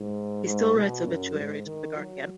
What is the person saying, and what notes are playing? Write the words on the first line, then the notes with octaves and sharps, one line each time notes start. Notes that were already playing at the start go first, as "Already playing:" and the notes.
He still writes obituaries for The Guardian.
Already playing: G#2
G#2
B2
F#2
G#2
D#3
F#3